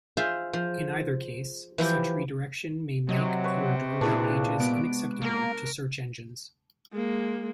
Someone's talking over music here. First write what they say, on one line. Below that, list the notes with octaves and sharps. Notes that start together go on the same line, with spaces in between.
In either case, such redirection may make your doorway pages unacceptable to search engines.
F4 G#4 C5 E5
F3
E3 F3 E4 G4
C3 F#3 D#5
B4 C#6
A#2 D4 E4 F#4 G#4 B4
G#3 B3 D7
A#3 A#4
G#3 A#3